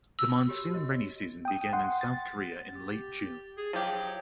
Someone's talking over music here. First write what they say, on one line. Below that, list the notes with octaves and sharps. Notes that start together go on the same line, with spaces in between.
The monsoon rainy season began in South Korea in late June.
E6
F#4 G4 C#5
F#4 D#5
G5 D#6
F#5 C6
A6
G4
G#4
F3 F#3 G4